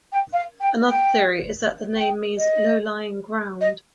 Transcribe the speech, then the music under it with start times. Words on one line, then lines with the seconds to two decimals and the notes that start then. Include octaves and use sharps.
Another theory is that the name means "low-lying ground".
0.12 G5
0.33 F5
0.60 G5
0.88 G5
1.97 G5
2.38 D#5
3.61 D#5